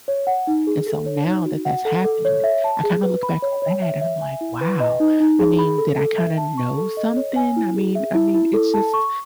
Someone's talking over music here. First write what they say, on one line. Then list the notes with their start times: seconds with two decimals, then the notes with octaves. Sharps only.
and so now that that's happened, I kinda look back on that, and I'm like, "Wow." I mean, did I kinda know something? I mean I mean, it's just
0.08 C#5
0.27 F#5
0.47 D#4
0.67 G#4
0.87 A4
1.06 C#5
1.26 D#4
1.45 F#4
1.65 F#5
1.85 A4
2.04 A4
2.25 C#5
2.44 E5
2.64 A5
2.84 G#4
3.03 B4
3.23 B5
3.42 C#5
3.62 C#5
3.82 E5
4.01 E5
4.21 G#5
4.41 E4
4.61 B4
4.80 D#5
5.00 D#4
5.20 D#4
5.39 G#4
5.59 B5
5.78 A4
5.99 A4
6.18 E5
6.37 A5
6.58 C#6
6.77 A4
6.97 D#5
7.17 C#5
7.36 G#5
7.56 E4
7.76 G#4
7.95 E5
8.15 E4
8.34 E4
8.54 A4
8.74 A5
8.94 C#6